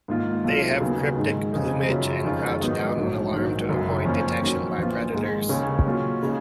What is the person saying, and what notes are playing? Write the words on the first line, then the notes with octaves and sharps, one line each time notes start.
They have cryptic plumage and crouch down when alarmed to avoid detection by predators.
G#2 D#3 A#3 F4
B1 B2 A#3 F4
D#2 C#3 F#3 B3 F4
G#2 D#3 G#3
F2 C#3 G#3 D#4
F#2 C#3 F#3 C#4 F4
F2 D#3 G#3 C#4 F4
G#2 D#3 F#3 B3 D#4
A#1 G#2 F#3
A#1 G#2 D#3 F#3
F#1 F#2 C#3 F#3
F2 F3 A#3 C#4 F4
F2 D#3 F#3 C#4
A#1 A#2 F3 B3 F4
G#2 D#3 G#3
D#2 C#3 G#3 C#4
A#2 F#3 C#4 F4
C#3 G#3 D#4